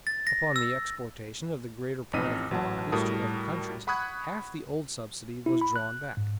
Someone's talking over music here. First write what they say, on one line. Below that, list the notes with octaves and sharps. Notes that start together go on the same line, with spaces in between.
Upon the exportation of the greater part of commodities to other countries, half the old subsidy was drawn back.
A6
A#6
E6
A1 F2 D#4 D#5 B6 D#7
A1 F#3 F#5 A5
A2 G3 F#4 A#4 A5 D#6
F#5 B5 C#6 D#6 F#6 G#6
E4
B5
F#6
G#2